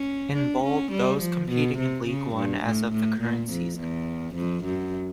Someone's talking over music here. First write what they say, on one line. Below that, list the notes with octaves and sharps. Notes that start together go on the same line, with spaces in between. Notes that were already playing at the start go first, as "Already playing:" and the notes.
In bold those competing in League One as of the current season.
Already playing: C#4
D4
C#4
G3
F3
B2
C3
C#3
G2
A2
A2
A#2
F2
E2
F2
F#2